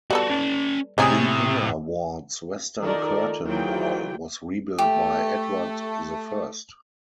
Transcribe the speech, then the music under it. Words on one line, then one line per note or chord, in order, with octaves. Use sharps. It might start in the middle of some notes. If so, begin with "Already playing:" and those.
The inner ward's western curtain wall was rebuilt by Edward the First.
G3 B3 F#4 G4 A4
C#4 A5
A2 C3 C#4 D#4 G#4 D#6
D#3 D#4 F4 A4 A#4 D5
D#3 E3 F#3 F4 G#4 G5
A3 G4